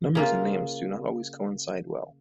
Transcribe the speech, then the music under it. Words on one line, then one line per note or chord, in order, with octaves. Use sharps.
Numbers and names do not always coincide well.
C#3 A#3 F4